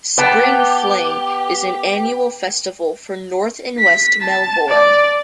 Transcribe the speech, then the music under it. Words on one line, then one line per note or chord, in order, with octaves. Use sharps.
"Spring Fling" is an annual festival for North and West Melbourne.
B3 G4 B4 G5 A5
B6
A5
D5